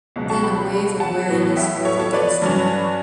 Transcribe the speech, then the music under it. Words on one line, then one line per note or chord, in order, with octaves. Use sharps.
Then a wave of weariness broke against him.
C#2 B2 F#3
A5 C#6
G5 B5
F#5 A5
A2 E3 B3
E5 G5
A4 C#5
A4 C#5
B4 D5
G2 F#3 C#4